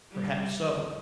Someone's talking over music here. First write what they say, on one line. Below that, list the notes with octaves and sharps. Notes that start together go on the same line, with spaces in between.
Perhaps so.
G3
F3